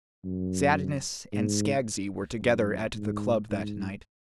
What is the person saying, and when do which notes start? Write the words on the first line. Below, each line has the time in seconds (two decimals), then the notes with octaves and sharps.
Sadness and Skaggsy were together at the club that night.
0.24 F#2
1.33 G#2
2.41 F#2
2.96 G#2
3.50 G#2